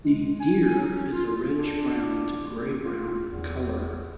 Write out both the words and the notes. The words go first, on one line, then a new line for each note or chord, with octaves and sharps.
The deer is a reddish-brown to grey-brown in color.
G#3
G#5
F#3
C#4
F4
D4
F4
E2